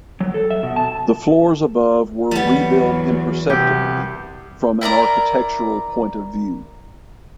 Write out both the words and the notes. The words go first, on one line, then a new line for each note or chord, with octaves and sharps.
The floors above were rebuilt imperceptibly from an architectural point of view.
F#3
A4
E5
B2
A5
E2 F#3 G3 B3
C2 G4
E4 A#4 D5 A#5